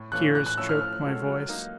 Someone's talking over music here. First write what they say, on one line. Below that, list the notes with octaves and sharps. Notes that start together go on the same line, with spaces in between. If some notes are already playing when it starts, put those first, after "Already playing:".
Tears choked my voice.
Already playing: A2
E3 A3 C#4 F4 F#6
A2 F#6
F#6
F3 A3 C#4 E4 E6
F6
F3
G#3 C#4 F#4 A4
F#3
A#3 D#4